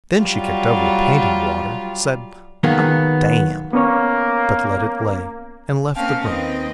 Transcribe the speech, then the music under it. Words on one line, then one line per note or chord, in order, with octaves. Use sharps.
Then she kicked over the painting water, said, "Oh, damn!"--but let it lay--and left the room.
F#3 G3 F4
D#3 F#3 A#3 B3 G#4
A#3 B3 C#4 C#5
A#3 C4 C#4 F5 G5 A5
D#2 C4 B4 D#5 G5